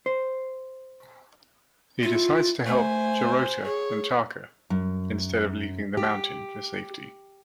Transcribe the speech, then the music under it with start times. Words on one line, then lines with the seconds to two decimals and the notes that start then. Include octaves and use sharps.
He decides to help Jurota and Taka instead of leaving the mountain for safety.
0.06 C5
2.03 E4 F4
2.66 A3 C5 G#5
3.65 G#4 C#5
4.70 F#2
5.97 G4